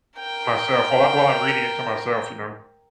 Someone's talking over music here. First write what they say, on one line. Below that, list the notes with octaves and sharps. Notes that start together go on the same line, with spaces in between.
myself while I while I'm reading it to myself, you know?
A#4 G5